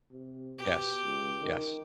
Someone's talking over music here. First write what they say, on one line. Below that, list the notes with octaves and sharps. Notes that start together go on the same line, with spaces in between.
Yes, yes.
C3
B2 G4
C#2
D#3